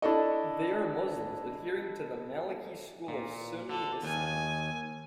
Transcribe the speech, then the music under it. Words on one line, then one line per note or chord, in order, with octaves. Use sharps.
They are Muslims, adhering to the Maliki school of Sunni Islam.
D4 E4 A4 D#5
A#2
D3 A4
D#2 G#5